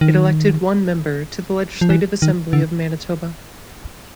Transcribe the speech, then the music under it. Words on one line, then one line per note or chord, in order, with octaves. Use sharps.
It elected one member to the Legislative Assembly of Manitoba.
D#3
F3
E3
D#3
D3